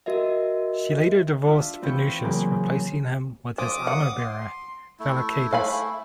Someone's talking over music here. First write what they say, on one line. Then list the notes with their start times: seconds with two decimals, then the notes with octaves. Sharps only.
She later divorced Venutius, replacing him with his armour-bearer, Vellocatus.
0.06 F#4 A#4 D#5 E5
1.46 D4 F4 E5
1.82 E2 C4 F4 B4 G5 C#6
2.24 C#3 E3 F#3 A#3 C4 G#4
3.58 F3 D6 D#6
3.87 F#5
4.19 C6
4.99 A3 E4
5.53 F5 G#5 B5